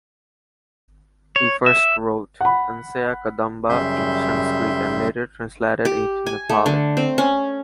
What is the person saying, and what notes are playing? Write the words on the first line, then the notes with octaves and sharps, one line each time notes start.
He first wrote "Hansyakadamba" in Sanskrit and later translated it to Nepali.
C#5
E5
F#5 B5
F#2 C#3 G3 E5 C6 G6
G4
G#5
A3
D3
C4
C#4